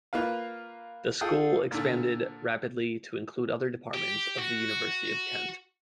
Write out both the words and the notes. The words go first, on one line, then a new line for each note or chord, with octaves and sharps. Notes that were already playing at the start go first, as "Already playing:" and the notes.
The School expanded rapidly to include other Departments of the University of Kent.
A#3 F4 B4 F5
F4 G#4 A4 G5 D#6
A#2 D3
G4
F#4